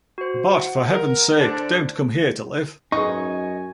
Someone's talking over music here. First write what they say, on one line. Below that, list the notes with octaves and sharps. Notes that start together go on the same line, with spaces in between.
But for heaven's sake, don't come here to live.
F#4 C5
F#5 D7
A#4
D3 D4 C5 D5 A5
F#2 D#4 G#4 B4 D#5 G#5 C#6